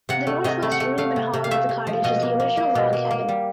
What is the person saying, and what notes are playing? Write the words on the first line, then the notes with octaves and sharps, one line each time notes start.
The northwest room and hall of the cottage is the original log cabin.
C3 F#5
A3
C3 D#5
A3
F#5
A3
A3 F5
C3
C3
F5
A3 E5
C3
F3
B2 D#5
A#3
A#3
A#3
B2
A#3
A#3
G3